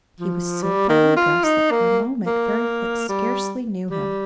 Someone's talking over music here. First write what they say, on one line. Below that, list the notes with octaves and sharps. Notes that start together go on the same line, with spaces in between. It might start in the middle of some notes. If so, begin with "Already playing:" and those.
He was so finely dressed that, for a moment, Fairyfoot scarcely knew him.
F3
G3
D#3
F4
D#4
A#3
A#3
G3
G3